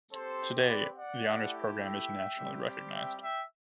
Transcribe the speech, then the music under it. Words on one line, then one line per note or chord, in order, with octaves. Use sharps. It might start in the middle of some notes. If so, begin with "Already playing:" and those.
Today, the Honors Program is nationally recognized.
C4 G4 A4 C5
B4 D5
D5 F#5
A3 E4 G4
E5 G5
G3 C4 G4
E5 G5
E5 G5